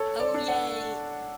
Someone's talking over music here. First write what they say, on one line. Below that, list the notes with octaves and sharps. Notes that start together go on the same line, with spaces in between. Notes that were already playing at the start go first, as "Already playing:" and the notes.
Oh, yay.
Already playing: A4 C#5
D5
D4
F#5